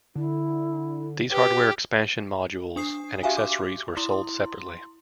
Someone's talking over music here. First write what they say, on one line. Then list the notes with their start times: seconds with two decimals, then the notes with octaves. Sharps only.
These hardware expansion modules and accessories were sold separately.
0.15 D3 E4
1.31 G4 B4
2.76 D4 D#6 C7
3.23 F#4 G4 E5 F5 G#5
3.37 D6
3.97 E4 C6